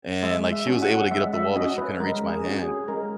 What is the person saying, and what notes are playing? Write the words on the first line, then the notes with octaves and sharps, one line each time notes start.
and, like, she was able to get up the wall, but she couldn't reach my hand,
G#3 E5
E5
C#4 F#4
F#5
G#3 E5
E5
C#4 F#4 D#5
B4
G#3 A#4
G#4
C#4 F#4
G#4
G#3 A#4